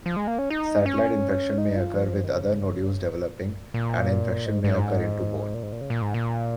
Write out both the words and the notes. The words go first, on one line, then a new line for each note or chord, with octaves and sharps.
Satellite infection may occur with other nodules developing and infection may occur into bone.
F3
G#3
A#3
C#4
D#4
C#4
D#4
F4
F3
D#3
C#3
A#2
A#2
G#2
G#2
A#2
G#2
A#2
C#3
A#2
G#2
A#2